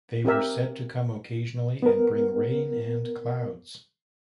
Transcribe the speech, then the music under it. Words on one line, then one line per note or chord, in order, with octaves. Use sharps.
They were said to come occasionally and bring rain and clouds.
C4 G4 A#4 E5
B3 A#4